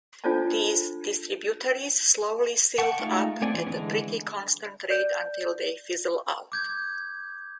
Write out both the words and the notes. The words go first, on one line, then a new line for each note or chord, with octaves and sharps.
These distributaries slowly silt up at a pretty constant rate until they fizzle out.
D4 F4 A4 C5 D5 A5
F#5 G5 A5 C#6
G#3 A3 D#4 F4
A3 C4 D5 G#5
E3
D3 E3 G#3 C#4
D5 G6
D6 G6 G#6